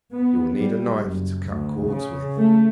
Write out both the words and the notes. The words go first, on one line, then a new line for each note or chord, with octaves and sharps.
You will need a knife to cut cords with.
B3
G3
F#1
D2
C#3
A3